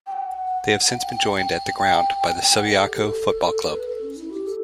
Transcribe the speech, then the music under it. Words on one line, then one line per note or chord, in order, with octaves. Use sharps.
They have since been joined at the ground by the Subiaco Football Club.
G5
F#5
G5
G5
F#5
A4
G4
A4
B4
A4
C#4
E4
G4
A4